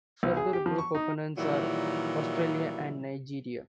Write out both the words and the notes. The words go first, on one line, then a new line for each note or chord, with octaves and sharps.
Further group opponents are Australia and Nigeria.
B1
G#4
G4
F3
C#6
D#4
A#2 D#3 E3 F#3 G3 E4